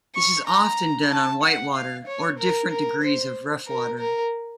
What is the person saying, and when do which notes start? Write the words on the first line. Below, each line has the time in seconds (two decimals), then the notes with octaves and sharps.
This is often done on whitewater or different degrees of rough water.
0.15 C#6
0.47 A#5
1.11 A5
1.43 F#5
1.75 F5
2.07 C#5
2.39 A#4
2.71 A#4
3.03 C5
3.67 A#4
3.99 A#4